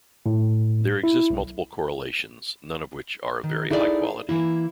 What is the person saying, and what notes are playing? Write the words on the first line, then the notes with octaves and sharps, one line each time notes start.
There exist multiple correlations, none of which are of very high quality.
A2
E4
B1
D#3
D#4 E4 G#4 A4 B4 D5
E3 A#3 E4